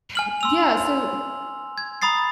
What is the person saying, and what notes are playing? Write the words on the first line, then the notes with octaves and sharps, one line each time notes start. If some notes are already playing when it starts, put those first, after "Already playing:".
eh, yeah, so
G#5 F6 F#7
C6 E6 F7
G#6
A#5 B5 D#6 A6 C7